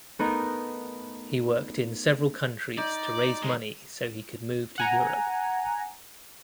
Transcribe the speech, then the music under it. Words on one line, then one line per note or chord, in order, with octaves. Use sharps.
He worked in several countries to raise money so he could move to Europe.
A3 B3 D#4 A#4
D#4 D5
D#3 G#3
F#5 G#5 A#5